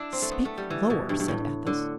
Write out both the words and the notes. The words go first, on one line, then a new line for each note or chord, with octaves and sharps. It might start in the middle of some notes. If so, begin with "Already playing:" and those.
"Speak lower!" said Athos.
Already playing: D4 E4
C4
A3
B3
A3
G3
E3
B2
G2
G2
A2
D3